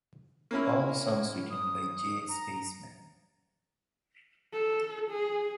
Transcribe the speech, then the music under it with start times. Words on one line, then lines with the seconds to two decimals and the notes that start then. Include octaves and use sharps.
All songs written by J Spaceman.
0.51 A#3 C#4 E4
1.50 D#6
2.29 A#5
4.53 A4
5.10 G#4